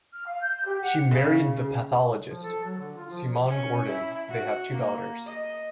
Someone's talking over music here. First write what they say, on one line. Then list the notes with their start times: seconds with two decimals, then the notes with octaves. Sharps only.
She married the pathologist Siamon Gordon; they have two daughters.
0.13 F6
0.27 F5
0.42 G6
0.67 G4
0.82 F#5
1.11 C#3
2.29 F3
2.43 A4
2.64 F#3
2.77 D3
2.98 F4
3.11 F3
3.48 C#4
3.88 E4
4.28 F#4
4.71 A#3
5.26 D#5